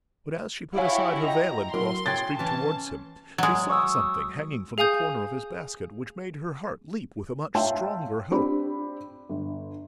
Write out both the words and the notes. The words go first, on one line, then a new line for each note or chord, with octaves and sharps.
But as she put aside her veil and crossed the street towards him, she saw something hanging from the corner of his basket which made her heart leap with a much stronger hope.
E4 F#4 G4 C#5 F5 G#5
D#5 G5 A#5
F#3 E4 A#4 C6
C#3 G5 G#6 A6
E3 C#4 A5
F#3 G#3
C#6 D#6 E6
G#4 F5 G#5 D#6 G6
C#5 E5 F5 G5 A5 C6
C4 D4 G4 B5
G1